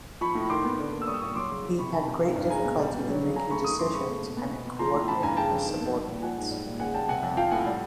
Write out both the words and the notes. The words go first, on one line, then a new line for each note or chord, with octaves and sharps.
He had great difficulty in making decisions, and in coordinating his subordinates.
F3 B5 C#6
A2
D#3 C6 D6
B3
D3
A#3
E6
G3 C#6 D#6
E6
A#2 C#6 D#6
F#3 C6 D6
C#3
E3
C3 B5 C#6
D#3 A5 B5
C3
D#3
G2
G#3 G#5 A#5
B2
G3
B2
F#3
C#3
C#3 G#5 A#5
A3 B5 C#6
D#3 C#6 D#6
F#2 C6 D6
C#3 B5 C#6
A3
B2
B3
B2
B3
F3 A#5 C6
A2
E3 A5 B5
G2 G#5 A#5
C#3 G5 A5
F2
D#3
B3
G3
A#2
F3 F#5 G#5
G#2
G3
A#2
C#3 F#5 G#5
G3 G5 A5
C3 F#5 G#5
F2
F3 F5 G5
A2 F#5 G#5
G3